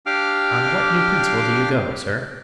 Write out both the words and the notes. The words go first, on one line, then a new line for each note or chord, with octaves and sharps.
"On what new principle do you go, sir?"
D4 G4 F5 G5 D6 F6